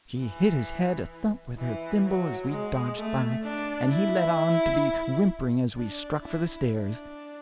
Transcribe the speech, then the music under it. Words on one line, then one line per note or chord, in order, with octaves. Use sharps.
She hit his head a thump with her thimble as we dodged by, and he let on to be whimpering as we struck for the stairs.
E3
E3
F#3
G#3
A3
D4
E4
D4
E4
D4